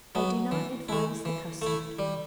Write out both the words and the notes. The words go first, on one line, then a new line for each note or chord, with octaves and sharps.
I do not advise the custard.
F#3 B3
E3
A3 E4
E3
A3 E4
G3